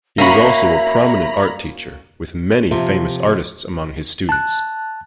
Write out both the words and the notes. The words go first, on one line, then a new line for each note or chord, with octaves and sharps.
He was also a prominent art teacher, with many famous artists among his students.
A#3 C#4 F#4 E5 A#5 B5
C3 F3 F4
A5 F#6